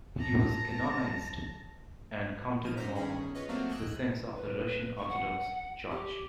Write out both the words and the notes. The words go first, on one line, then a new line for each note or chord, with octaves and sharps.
He was canonized and counted among the saints of the Russian Orthodox Church.
A5 A#5
F3 D#5 F6 D#7
G#1 F#2 F#3 C5 A#5 B6
G1 D#3 C#4 G#4 B5
F4 B4 C#5 D#5
F#3 A3 A#3 C4 F#4 F5
D#5 G5 G#5 E6 F#6
B4
C#6
F#5
G4